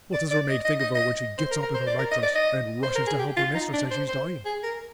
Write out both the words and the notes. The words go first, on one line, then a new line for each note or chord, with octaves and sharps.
What does her maid think of her when she gets up in her nightdress and rushes to help her mistress as she's dying?
D5
D5
D#5
D#5
D#5
D#5
C5
A#4
A#4
C5
D5
A#4
D#5
D5
D#5
C5
A#4
G#4
G4
F4
D#4
D4
C5
C5
G#4
A#4